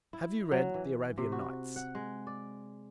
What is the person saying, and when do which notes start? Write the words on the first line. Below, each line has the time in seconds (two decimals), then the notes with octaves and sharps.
"Have you read the 'Arabian Nights'?"
0.13 E4
0.51 F#3
0.74 E3
1.18 C3
1.32 F#4
1.76 F#5
1.95 G#3
2.27 D5